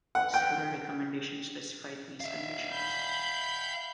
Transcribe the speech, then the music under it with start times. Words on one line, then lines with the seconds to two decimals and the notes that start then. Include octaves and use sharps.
Several recommendations specify these conditions.
0.15 F#5
0.34 G5
2.20 E5 F5
2.70 B5 G6